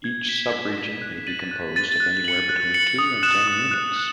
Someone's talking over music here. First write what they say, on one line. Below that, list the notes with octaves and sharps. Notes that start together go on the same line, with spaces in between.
Each sub-region may be composed of anywhere between two and ten units.
G#6
B6 E7
G#6
B6 E7
F#6
A6 D#7 F#7
F#6
A6 D#7 F#7
F#6
C#7 F#7
F#6
C#7 F#7
D#6
F#6 C#7 E7
D#6
F#6 C#7 E7
F#6